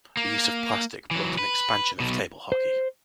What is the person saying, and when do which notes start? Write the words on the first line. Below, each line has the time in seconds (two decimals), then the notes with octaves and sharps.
The use of plastic brought an expansion of table hockey.
0.17 A#3
1.11 E3 F#3
1.39 B4
2.00 B1 B2
2.52 C5